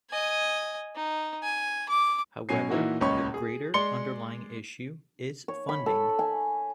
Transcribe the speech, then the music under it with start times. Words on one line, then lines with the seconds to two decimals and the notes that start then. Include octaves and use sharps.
However, a greater underlying issue is funding.
0.10 D#5 G#5
0.96 D#4
1.43 G#5
1.89 D6
2.49 B2 F#3 C#4 G#5 C7
2.71 A#2 E3 D#4 E4 F#4
3.00 D#1 C#2 C#4 B5 C#6
3.34 G#4
3.74 G#3 D5 C6 C#7 G7
5.48 C#5
5.69 B5
5.86 A4
6.19 G#5